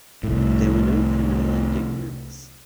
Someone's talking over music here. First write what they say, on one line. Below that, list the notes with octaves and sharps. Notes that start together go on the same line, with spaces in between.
There were no criminal indictments.
C2 A2